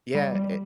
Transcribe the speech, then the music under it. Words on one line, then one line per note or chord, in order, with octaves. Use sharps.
Yeah, a
G3
G3